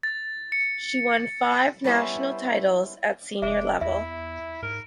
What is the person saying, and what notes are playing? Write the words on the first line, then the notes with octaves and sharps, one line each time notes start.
She won five national titles at senior level.
A6
C#7
C#7
G3 B3 C#4 E4 C5
F1 D4 E5
E2 E4 E5
G#2 A#4